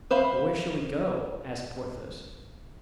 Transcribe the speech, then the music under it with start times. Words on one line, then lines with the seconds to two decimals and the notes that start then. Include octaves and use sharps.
"But where shall we go?" asked Porthos.
0.11 B4 C5 E5 F5 B5